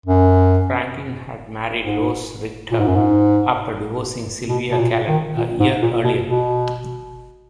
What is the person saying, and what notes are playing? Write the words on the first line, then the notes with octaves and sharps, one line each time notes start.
Franklin had married Rose Richter after divorcing Sylvia Calen a year earlier.
F#2
G#2
A#2
G#2
F#2
G#2
B2
B2
A#2
D#3
A#2
G#2
A#2
B2
B2